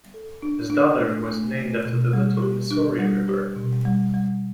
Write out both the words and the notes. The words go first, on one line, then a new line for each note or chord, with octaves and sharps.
His daughter was named after the Little Missouri River.
A4
D4
D4
A3
A3
A3
B2
G3
G4
D4
G3
G4
B2
G3
G3